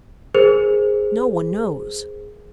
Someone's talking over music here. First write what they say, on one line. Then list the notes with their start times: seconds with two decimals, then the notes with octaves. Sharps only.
No one knows.
0.34 G#4 A#4 C5